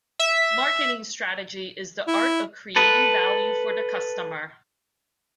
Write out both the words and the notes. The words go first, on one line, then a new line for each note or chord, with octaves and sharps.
Marketing strategy is the art of creating value for the customer.
E5
E4
A4 B4